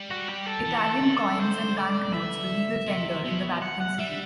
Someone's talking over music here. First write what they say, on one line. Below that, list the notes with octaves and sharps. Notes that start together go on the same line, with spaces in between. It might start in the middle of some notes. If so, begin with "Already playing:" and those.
Italian coins and banknotes were legal tender in the Vatican City.
Already playing: G3
F#4
G4
A4
E3
D3
C5
D5
E5
C3
B2
F#5
F#5
G3 E5